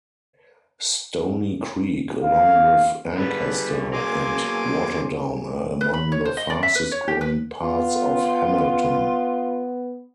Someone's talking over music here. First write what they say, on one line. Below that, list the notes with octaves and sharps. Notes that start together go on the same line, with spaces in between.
Stoney Creek, along with Ancaster and Waterdown are among the fastest-growing parts of Hamilton.
F5
D3 G3 B3 F#4 G#4 B4
F#3 A#3 G#5 C6 D6
B4
B5
C#5
C5
D#5
D5
E5
B4
C#5
G4
B4
B3 F4